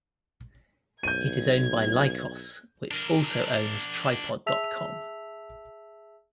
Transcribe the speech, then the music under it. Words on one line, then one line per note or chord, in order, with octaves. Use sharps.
It is owned by Lycos, which also owns Tripod dot com.
B1 G6 G#6 D#7
D4 A#4
G#4 E5 A5 E6 B6 F7